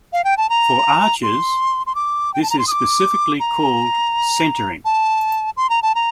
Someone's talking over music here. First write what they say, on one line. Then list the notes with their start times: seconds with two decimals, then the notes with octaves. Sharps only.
For arches, this is specifically called centering.
0.13 F5
0.24 G5
0.38 A5
0.50 A#5
1.23 C6
1.87 C6
1.95 D6
2.34 G5
2.43 A5
2.50 A#5
2.59 C6
2.67 D#6
2.71 D6
3.40 A#5
4.85 A5
5.57 C6
5.70 A#5
5.82 A5
5.95 A#5